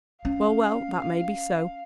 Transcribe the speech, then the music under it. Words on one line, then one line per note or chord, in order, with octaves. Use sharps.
Well, well, that may be so.
C#4 F5